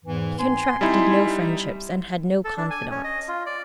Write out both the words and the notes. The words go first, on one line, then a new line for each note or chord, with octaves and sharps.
He contracted no friendships and had no confidants.
E2 G#2 E3
C4 G#5 C6
G3 D#4 E4
A4
D4
G#5
C#4
D#5
F4
D5